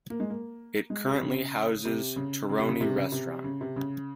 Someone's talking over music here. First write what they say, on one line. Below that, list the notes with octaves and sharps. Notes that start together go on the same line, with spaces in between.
It currently houses Terroni restaurant.
A#3
G#3
A#3
G#3
C3
C#3
C3
C#3
C#3
C3
C#3
C3
C#3
C3
C#3
C3
C#3